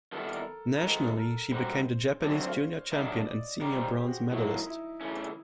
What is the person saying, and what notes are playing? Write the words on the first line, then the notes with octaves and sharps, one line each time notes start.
Nationally, she became the Japanese junior champion and senior bronze medalist.
D#3 G3 B3 E4 A4
A4
A#4
A#4
G#2 D#3 G#3 A4
A4
A#4
G3 A#3 D#4 F#4 C5
F#2 D3 F#3 A3 C4 D5
C#5
C5
F5
D#3 F#3 A#3 D4 E5
D#5
D5
D5
D#3 G3 A#3 D#4 G4 C#5
C5
G#4
G4
F#4
A2 F#3 A#3 E4
D#4
E4
C#3 E3 A3 C#4